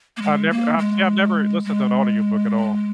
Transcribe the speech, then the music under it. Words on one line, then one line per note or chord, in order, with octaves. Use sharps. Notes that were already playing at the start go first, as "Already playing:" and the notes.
I've never I've see, I've never listened to an audiobook at all.
A#3
G#3
A#3
G#3
G#3